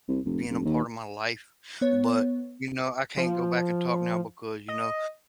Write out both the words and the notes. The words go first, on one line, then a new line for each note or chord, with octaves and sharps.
being a part of my life. But, you know, I can't go back and talk now because, you know,
C2
F1
F1
D#2
B3 C#5
F3
D#5